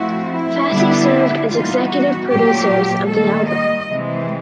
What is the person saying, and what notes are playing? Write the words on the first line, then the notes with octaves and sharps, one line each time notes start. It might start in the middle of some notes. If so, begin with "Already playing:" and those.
Fassie served as executive producers of the album.
Already playing: F3 A3 C4 E4 F#4
E4
D3 G3 B3 D4
E3 G3 B3 D#4 F4
F#4
A#2 F#3 A3 G4
D#3 G3 A#3 A4
D#5
C3 E3 G#3 C4